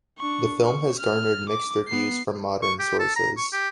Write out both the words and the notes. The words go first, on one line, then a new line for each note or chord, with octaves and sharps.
The film has garnered mixed reviews from modern sources.
D4 C#6
C#6
F6
D6
B3 C7
C#6
G4
A4
A#5
C#6
G4